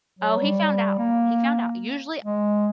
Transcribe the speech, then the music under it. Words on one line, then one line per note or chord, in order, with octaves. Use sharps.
oh, he found out, he found out. Usually uh,
F#3
G3
A#3
G#3